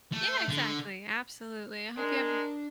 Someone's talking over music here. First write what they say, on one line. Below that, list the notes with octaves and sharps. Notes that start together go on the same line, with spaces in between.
Yeah, exactly. Absolutely. I hope you have
A3
D3
G#3 D4 A#4